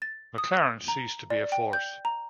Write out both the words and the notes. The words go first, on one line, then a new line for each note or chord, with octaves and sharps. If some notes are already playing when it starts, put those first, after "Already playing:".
McLaren ceased to be a force.
A6
D#6
A#5
D5
G5
G6
A#5